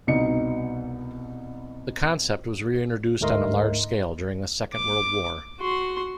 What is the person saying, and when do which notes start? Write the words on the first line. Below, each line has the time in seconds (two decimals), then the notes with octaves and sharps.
The concept was re-introduced on a large scale during the Second World War.
0.07 C2 B2 D#4 C#7
3.20 D2 G#2 A3 A#4 D#5 C6
4.74 D6
5.60 F#4 C6